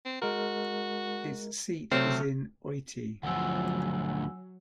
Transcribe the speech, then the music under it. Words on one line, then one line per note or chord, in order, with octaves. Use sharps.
Its seat is in Oitti.
C4
G#3 F#4 A#4
C3 F#3 A3 C4 F6
D2 F3 F#3 F#5 G#5 E6